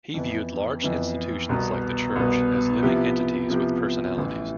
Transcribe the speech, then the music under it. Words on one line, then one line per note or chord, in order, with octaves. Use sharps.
He viewed large institutions like the church as living entities with personalities.
F2 E3 B3
F2 E3 B3
C2 B2 B3
C2 B2 B3
C3 F3 B3 E4 G4
C3 F3 B3 E4 G4
A1 A2 E3